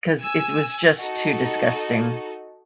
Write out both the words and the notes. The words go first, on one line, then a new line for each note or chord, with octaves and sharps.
'cause it was just too disgusting.
G#5 E6
D#4 F#4 A4